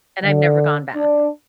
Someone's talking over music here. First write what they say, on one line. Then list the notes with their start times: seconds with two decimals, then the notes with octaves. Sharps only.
and I've never gone back.
0.25 D3
0.95 D4